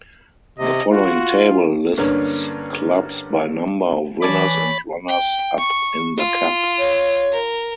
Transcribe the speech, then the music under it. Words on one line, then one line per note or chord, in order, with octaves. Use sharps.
The following table lists clubs by number of winners and runners-up in the Cup.
C3 D#5
F4 F#4
G2 D3 A#3 C#4
E3 C#5 D5 G#5 A5 B5 A6
G5
C#6
F4
C#5
A#4